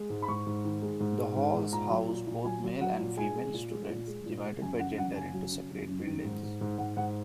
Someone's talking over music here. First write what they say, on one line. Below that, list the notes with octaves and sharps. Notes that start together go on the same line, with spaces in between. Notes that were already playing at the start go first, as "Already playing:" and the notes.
The halls house both male and female students, divided by gender into separate buildings.
Already playing: G#3
G#2
B5
G#2 C#6
G#2
D#3
G#3
G#2
G#3
G#2
G#2
A#2 A#5
F#3
A#2
A#2
F#3 G#5
F#3
F#3 F#5
A#2
G#3 G#5
G#3
A#2
G#3
A#2
G#3
A#2
G#3
F#2 G#5
C#3 F#5
F#2 F#5
C#3 G#5
F#3
C#3
F#2
F#2
D#3
G#2
G#2
G#2
G#2 F#5
G#2 F#5